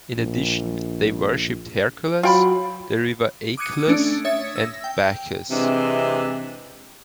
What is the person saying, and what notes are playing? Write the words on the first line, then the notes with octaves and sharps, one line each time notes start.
In addition, they worshiped Hercules, the river Achelous and Bacchus.
A#1
F#3 F4 G5 B5
D6 D#6 F#6 G#6 C#7 D#7
A3 C#4 D4
C#5 E5 D#6 G#6 A6 C#7
E6 A#6
G5
C3 E3 G#3 C4 D4